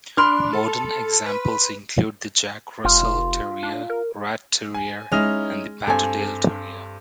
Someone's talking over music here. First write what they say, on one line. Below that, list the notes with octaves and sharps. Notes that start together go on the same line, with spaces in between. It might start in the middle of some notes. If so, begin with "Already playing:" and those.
Modern examples include the Jack Russell Terrier, Rat Terrier and the Patterdale Terrier.
D4 B5 C6 F6
A4
B4
F1 F4
D4
A#4
G#5
G#3 C#4 D#4 E4 F6
G2 C4 A4 G#5